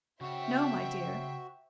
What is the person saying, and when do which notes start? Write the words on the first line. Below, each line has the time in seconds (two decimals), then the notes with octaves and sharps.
"No, my dear."
0.21 C#3 F#4 C5 C#5 E5 G5